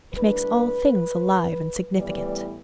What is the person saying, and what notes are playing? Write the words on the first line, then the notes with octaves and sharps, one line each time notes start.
It makes all things alive and significant.
A2 G3 D4 B4
A2 E3 G3 B3 D5